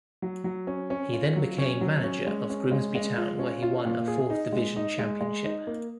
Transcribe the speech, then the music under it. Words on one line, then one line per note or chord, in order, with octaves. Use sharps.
He then became manager of Grimsby Town, where he won a Fourth Division championship.
F#3
F#3
C#4
C#4
F4
F#3
C#4
F#3
C#4
G#3
C#4
G#3
G#3
F4
C#4
F4
A#2
G#4
D#4
G#3
D#4
G#3
G#3
D#4
A#3